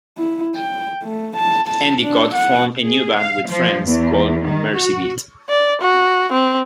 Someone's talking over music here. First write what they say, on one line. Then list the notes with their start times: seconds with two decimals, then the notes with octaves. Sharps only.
Endicott formed a new band with friends called Mercy Beat.
0.18 E4
0.56 G5
1.04 A3
1.36 A5
1.68 A5
2.02 D4
2.35 F#5
2.84 G#4
3.17 F5
3.49 F3
3.87 E2
4.46 D#3
4.75 F#4
5.50 D5
5.82 F#4
6.32 C4